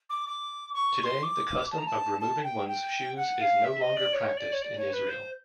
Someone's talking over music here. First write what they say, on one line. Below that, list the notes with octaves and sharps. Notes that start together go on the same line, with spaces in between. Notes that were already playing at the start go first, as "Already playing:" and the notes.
Today, the custom of removing one's shoes is no longer practised in Israel.
D6
D6
C#6
C#6
C6
D6
A5
A#5
A5
A5
G5
G5
F#5
F5
E5
D#5
D5
C#5
D5
C#5
D5
C#5
B4
C5